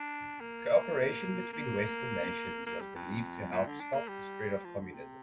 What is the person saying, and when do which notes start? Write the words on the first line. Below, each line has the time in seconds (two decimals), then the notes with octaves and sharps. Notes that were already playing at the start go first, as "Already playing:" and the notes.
Co-operation between Western nations was believed to help stop the spread of Communism.
Already playing: D4
0.40 A#3
1.53 A#3
2.67 A#3
2.81 G3
2.95 F2
3.52 A#2
3.66 D3
3.80 D4
3.94 A#3
4.08 G3
4.65 F3
4.79 D3
4.93 C3